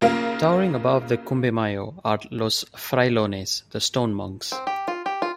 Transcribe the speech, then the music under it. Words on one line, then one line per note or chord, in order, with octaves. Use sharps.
Towering above the Cumbe Mayo, are Los Frailones, the Stone Monks.
B1 C#3 A#3 F4 A#4 F5
C4
G4
F4
G4
F4